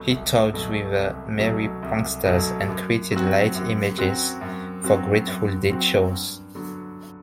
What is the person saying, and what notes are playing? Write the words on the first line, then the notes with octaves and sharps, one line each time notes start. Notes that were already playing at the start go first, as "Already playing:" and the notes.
He toured with the Merry Pranksters, and created light images for Grateful Dead shows.
Already playing: C2 B2 F#3 A3
C2
B2 F#3 A3
C2
B2 F#3 A3
C2
B2 F#3 A3
F#2
F#3 C4 F#4
F#2
F#3 C4 F#4
F#2
F#3 C4 F#4
F#2
F#3 C4 F#4
G2
D3 F#3 B3